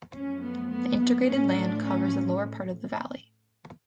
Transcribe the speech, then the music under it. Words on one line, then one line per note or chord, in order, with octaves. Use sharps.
The irrigated land covers the lower part of the valley.
F#2 F3 A3 C#4
B3
B3
B3
A2 F3 A3 C#4
D4
C#4